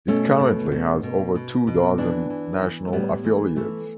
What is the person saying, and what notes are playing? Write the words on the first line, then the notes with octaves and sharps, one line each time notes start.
It currently has over two dozen national affiliates.
B2 A3 C#4
B2
B2
B2
B2
B2
E3 B3 D4
E3
E3
A3
A2 G3 B3
E3 A3
E3 A3